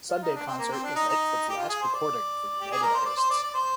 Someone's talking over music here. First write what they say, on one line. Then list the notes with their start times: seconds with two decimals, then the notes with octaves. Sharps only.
"Sunday Concert" was Lightfoot's last recording for United Artists.
0.09 F4
0.22 D#4
0.35 D4
0.47 C4
0.59 A#3
0.72 C4
0.83 D4
0.96 D#4
1.09 D#4
1.49 G4
1.57 F4
1.69 G#4
1.82 C5
1.94 D5
2.61 G4
2.72 G#4
2.83 A#4
2.94 C5
3.06 D5
3.17 C5
3.30 D5
3.43 D5
3.54 C5